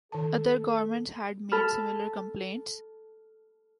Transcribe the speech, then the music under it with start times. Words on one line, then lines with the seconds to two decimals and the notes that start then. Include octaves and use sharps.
Other governments had made similar complaints.
0.12 D#3 A4 A5
1.52 A4 B5 F6